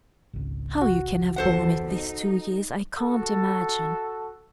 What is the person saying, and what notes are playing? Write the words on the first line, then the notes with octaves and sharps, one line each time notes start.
How you can have borne it this two years I can't imagine.'
G#1 C#2
F#4
E2 A4 C5 F#5
D#4
F#4 A4